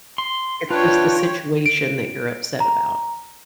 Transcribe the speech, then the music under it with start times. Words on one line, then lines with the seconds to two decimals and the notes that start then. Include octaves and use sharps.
It's just the situation that you're upset about.
0.18 C6
0.70 D4 F4 B4 C#5 G5
1.66 D7
2.60 A#5